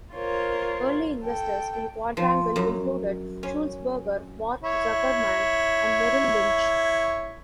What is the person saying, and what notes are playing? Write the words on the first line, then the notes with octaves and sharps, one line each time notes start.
Early investors in Quadrangle included Sulzberger, Mort Zuckerman, and Merrill Lynch.
F4 A#4 C5 C#5
A4 G5
F3
F#2
C#4
E4 C#5